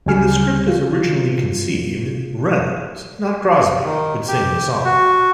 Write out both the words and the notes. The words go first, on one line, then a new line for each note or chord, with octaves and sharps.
In the script as originally conceived, Reynolds, not Crosby, would sing the song.
D2 C#3 G3 G#5 F6
F4
D#3
G4
F#4